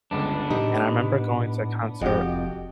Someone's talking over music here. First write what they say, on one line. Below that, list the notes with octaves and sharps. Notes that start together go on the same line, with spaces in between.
and I remember going to a concert
G1 C#2 B3 D4
A2 D#4 G4
F1 F2 F#4 G4 D#5 F#5